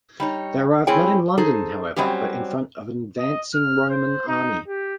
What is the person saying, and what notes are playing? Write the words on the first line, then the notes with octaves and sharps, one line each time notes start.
They arrive not in London, however, but in front of an advancing Roman army.
G3 D#4 C#5
G3 C4 E4 G#4 C#5 G5
D#4 G#4 A4 C5
F#3 G3 C4 C#4 G4
D#5
F6
C5
D#4
G4